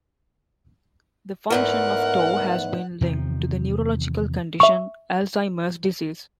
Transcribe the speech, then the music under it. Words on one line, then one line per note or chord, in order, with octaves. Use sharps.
The function of tau has been linked to the neurological condition Alzheimer's disease.
E2 G#2 A3 A#4 F#5
E2 C3 D#3 F3
E5 C#6